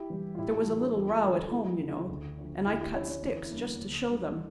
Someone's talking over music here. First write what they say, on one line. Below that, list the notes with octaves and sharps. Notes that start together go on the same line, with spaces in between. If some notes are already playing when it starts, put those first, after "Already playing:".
There was a little row at home, you know, and I cut sticks just to show them.
Already playing: E4 G4
E3 G3
F4
A2 E4 G4
G4
F4 A4
E3 G3
D4 F4
E2 D4 F4
F4 A4
D3 G3 G4 A#4
F4 A4
F2 E4 G4
C#3 F3
D2
D3 F3
D2 E4 G4
E4 G4
D3 F3 C#4 E4
C#4 E4
E2 C#4 E4
E4
D3 G3 A#3 D4
D2
D3 G3